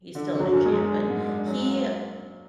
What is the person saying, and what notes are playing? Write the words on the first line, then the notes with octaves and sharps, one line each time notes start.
He's still an engineer, but he
D3
D3
F#3
F#2
G#3
F#2
D4
G#2
D4
F#3
A#3